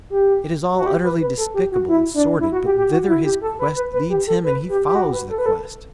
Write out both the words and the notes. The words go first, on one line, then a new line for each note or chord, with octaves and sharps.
It is all utterly despicable and sordid, but thither his quest leads him and he follows the quest.
G4
F#4
G4
B4
B4
A4
G4
F#4
E4
D4
E4
F#4
G4
G4
F#4
E4
G4
A4
B4
B4
B4
G4
A4
B4
G4
G4
F#4
B4
A4
B4
A4